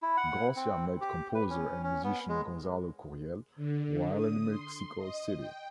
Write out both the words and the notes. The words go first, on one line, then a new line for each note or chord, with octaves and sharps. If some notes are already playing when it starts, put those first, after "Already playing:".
Garcia met composer and musician Gonzalo Curiel while in Mexico City.
E4
F#5
C4
G4
B4
C#4
C#4
B3
G#3
D3
D#6
C6
D#5
G5